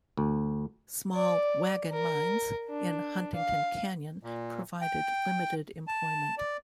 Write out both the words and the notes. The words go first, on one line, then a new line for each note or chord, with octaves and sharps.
Small "wagon mines" in Huntington Canyon provided limited employment.
D2
D5
A#4
D4
F5
A#2
G5
A5
D5